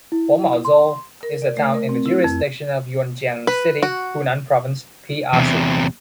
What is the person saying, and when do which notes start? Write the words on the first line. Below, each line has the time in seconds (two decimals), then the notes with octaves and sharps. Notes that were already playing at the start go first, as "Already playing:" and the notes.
Huangmaozhou is a town in the jurisdiction of Yuanjiang City, Hunan Province, P.R.C.
0.12 E4
0.65 C6
1.23 A#4
1.42 D5
1.57 A3
1.74 A#4
1.89 C4
2.06 E4
2.24 F2
3.47 B4
3.83 F#4
5.33 E2 C3